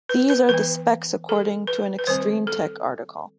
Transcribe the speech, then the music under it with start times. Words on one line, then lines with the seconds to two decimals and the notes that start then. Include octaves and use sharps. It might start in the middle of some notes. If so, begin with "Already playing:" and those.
These are the specs according to a ExtremeTech article.
0.09 B4
0.30 B4
0.49 E3 B3 B4
1.29 A4
1.67 B4
1.99 B4
2.07 D#3 G3 C4 C5
2.47 A4